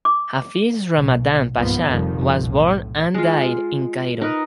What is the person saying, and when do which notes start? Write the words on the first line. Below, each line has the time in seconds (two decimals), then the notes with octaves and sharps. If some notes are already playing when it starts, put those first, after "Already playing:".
Hafiz Ramadan Pasha was born and died in Cairo.
0.05 D6
0.96 B1 A#2
1.55 G1 C#2 G#2 F3 A#3 B3
1.86 F1 F2 A#2 D#3 F3 G3
2.32 B1 A2
3.14 G#3 F4
4.21 D#4 A#4 B4